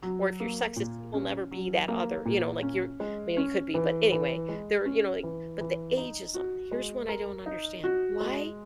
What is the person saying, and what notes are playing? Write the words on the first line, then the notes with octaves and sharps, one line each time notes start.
Or if you're sexist, you will never be that other. You know, like, you're maybe you could be, but, anyway, they're, you know, like but the ageism, here's one I don't understand: why
F#3
A#3
A#2
C#4
F#3
A#3
A#2
C#4
G#3
C#4
E3
E3
G#3
C#4
E3
E3
D#4
F#4
G#3
A#4
D#4
F#4
G#3